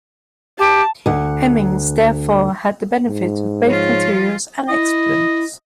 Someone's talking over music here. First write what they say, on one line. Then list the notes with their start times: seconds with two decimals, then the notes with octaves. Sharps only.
Hemmings therefore had the benefit of both materials and experience.
0.59 G4 A5
1.06 D2 F#5
3.07 G#2
3.66 F3 F4 C#5
4.69 E4 D#5